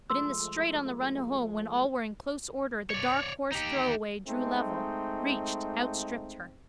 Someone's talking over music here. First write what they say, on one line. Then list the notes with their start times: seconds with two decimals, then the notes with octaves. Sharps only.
But in the straight on the run home when all were in close order the dark horse Throwaway drew level, reached, outstripped her.
0.10 F3 G#3 A3 C6 E6
2.90 C#5 D5
3.52 D#4 G4
4.27 G#3 A3 C4 D#4